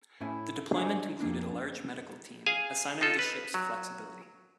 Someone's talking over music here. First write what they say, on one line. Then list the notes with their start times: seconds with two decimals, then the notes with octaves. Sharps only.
The deployment included a large medical team, a sign of the ship's flexibility.
0.21 A2 C#4 E4 G#5
0.73 D4 C5 E5 G#5
1.20 F2 D3 A#3 D4
2.46 G#4 F5 G#5
3.01 D#4 F4 A4
3.19 B4
3.54 F#3